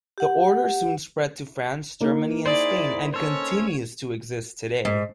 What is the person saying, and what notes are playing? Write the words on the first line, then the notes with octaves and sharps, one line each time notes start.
The Order soon spread to France, Germany and Spain, and continues to exist today.
G4 F#5
A#3 D#4
E4 G#4 C5 D5
C#4 A4 C5 C#5
G#2